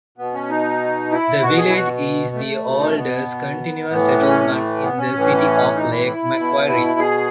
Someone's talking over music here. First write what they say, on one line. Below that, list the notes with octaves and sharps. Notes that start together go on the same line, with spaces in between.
The village is the oldest continuous settlement in the City of Lake Macquarie.
B2 B3
C#4
D#4
E4
B2 F#4
G#4
E4
F#4
A3
B2
D#4
C#4
B3
A2 E3 B3
C#4
A3
B3
C#4
A2 E3
D#4
E4
E4
B2
E4
G#4